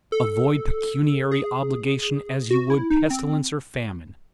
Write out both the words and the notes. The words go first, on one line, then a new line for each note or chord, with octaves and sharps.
Avoid pecuniary obligation as you would pestilence or famine.
A4
G#4
F#4
E4
D#4
C4